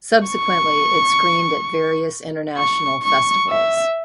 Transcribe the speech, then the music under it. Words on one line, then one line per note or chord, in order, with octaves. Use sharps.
Subsequently, it screened at various international festivals.
C#6
C#6
C#6
E5